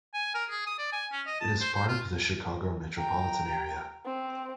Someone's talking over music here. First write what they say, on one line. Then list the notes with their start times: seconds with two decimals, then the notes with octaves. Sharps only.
It is part of the Chicago metropolitan area.
0.14 G#5
0.34 A#4
0.50 G#4
0.67 D#6
0.78 D5
0.93 G#5
1.12 C#4
1.27 D#5
1.41 A5
1.61 C5
1.74 C5
1.88 F4
2.98 G5 A#5
4.06 C4